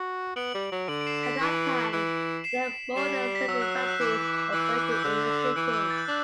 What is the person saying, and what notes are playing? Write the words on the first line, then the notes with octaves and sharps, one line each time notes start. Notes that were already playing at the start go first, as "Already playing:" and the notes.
At that time, there were more than seventy factories operating in the city.
Already playing: F#4
B3 D7 F#7
G3
F#3
D3 D7 F#7
D7
C7 E7
B6 D7
E3
E3
C7 E7
G3 C7 E7
C7
B6
F#3 E6
F#6
G6
F#6
E3 D6
E3 E6
F#6
E6
F#6
G6
E6
D3 F#6
E3 E6
E6
A6
G6
F#6
D4